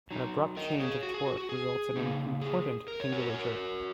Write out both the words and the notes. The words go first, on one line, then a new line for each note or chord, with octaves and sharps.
An abrupt change of the torque results in an important angular jerk.
F#3 D#4
A#4 D#5
G#4 C#5
F#4
G#4
F#4
F#4
G#4
C#3 A#3 D#4
G#4
A#4
C#5
F#4 A#4
C#5
F#4 A#4